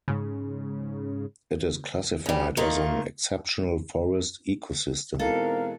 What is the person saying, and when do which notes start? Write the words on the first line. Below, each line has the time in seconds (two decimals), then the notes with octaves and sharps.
It is classified as an exceptional forest ecosystem.
0.08 G#2 C#3
2.26 C#3 G3
2.57 D#3 A3 A#3 F4
5.20 B2 E3 G#3 C4 D#4 A4 A#4 F5